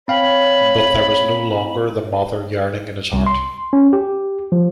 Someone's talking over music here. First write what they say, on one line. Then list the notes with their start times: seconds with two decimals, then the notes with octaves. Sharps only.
But there was no longer the mother yearning in his heart.
0.08 C4 C#5 F5 G5 B5
3.13 C2
3.27 C6
3.73 C#4
3.93 G4
4.52 F3